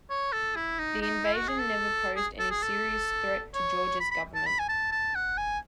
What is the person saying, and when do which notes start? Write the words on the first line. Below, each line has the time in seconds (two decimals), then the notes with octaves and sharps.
The invasion never posed any serious threat to George's government.
0.10 C#5
0.33 A4
0.56 E4
0.79 D#4
1.02 D#4
1.25 E4
1.36 F#4
1.48 G#4
1.59 A4
2.16 G#4
2.40 A4
2.51 G#4
2.63 A4
3.54 C#5
4.00 B5
4.11 B5
4.35 A5
4.46 B5
4.59 G#5
4.69 A5
4.92 A5
5.15 F#5
5.38 G#5